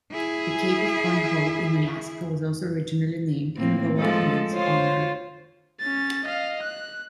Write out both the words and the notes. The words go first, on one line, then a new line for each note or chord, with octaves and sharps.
The cape of Point Hope in Alaska was also originally named in Golovnin's honor.
E4 G#4
A2 A#3 C4
F3 G#3 A4
F4 C5 C#5
C#4 A6
D#5 F5
F#6